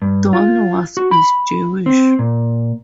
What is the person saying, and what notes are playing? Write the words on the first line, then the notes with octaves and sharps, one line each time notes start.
Don Was is Jewish.
G2
F4
F#4
B5
C4
A#2